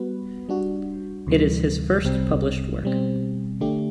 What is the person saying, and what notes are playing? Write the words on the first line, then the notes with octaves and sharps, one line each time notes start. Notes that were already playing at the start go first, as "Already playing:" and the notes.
It is his first published work.
Already playing: G3 B3 F#4 B4
G3 D4 F#4
D2 C3 E3 G3
C2 C3 G3 C4
B2 G3 C4
D3 A3 D4 G4